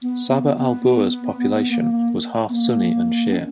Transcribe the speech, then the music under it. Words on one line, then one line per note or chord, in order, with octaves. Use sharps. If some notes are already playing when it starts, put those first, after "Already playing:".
Saba Al Boor's population was half Sunni and Shia.
B3
B3
B3
B3
A#3
B3
A#3
C#4